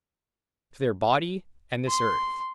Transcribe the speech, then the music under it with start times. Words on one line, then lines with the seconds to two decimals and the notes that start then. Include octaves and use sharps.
To their body and this earth.
1.88 C6